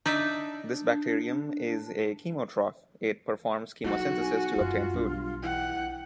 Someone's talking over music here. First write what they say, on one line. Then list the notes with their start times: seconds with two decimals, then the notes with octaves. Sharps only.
This bacterium is a chemotroph-it performs chemosynthesis to obtain food.
0.06 D4 D#4 D5 E5
3.84 B1 B3 F#4
4.20 G#5
4.56 F#2 F#3 F4
4.94 B1 G2
5.43 E3 F#5 G5